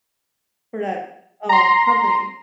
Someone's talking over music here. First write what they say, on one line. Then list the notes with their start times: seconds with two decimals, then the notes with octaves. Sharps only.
for that, um, company.
1.49 A#5 C6